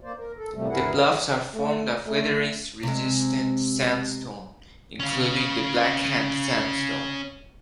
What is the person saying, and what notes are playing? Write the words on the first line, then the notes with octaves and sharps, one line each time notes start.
The bluffs are formed of weathering-resistant sandstone, including the blackhand sandstone.
A#3 C5 D5
A#4
A4
F#2 A2 C3 F3 G3 A3
D2 G2 E4 G#4 A#4 F#5
F3 G#3
A3
A3
C3 G#3
C#4 F5